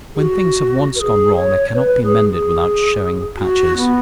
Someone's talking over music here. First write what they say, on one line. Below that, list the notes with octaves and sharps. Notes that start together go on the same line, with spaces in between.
When things have once gone wrong they cannot be mended without showing the patches.
G#4
F#4
B4
G#4
C#5
B4
G#4
G#4
F#4
B3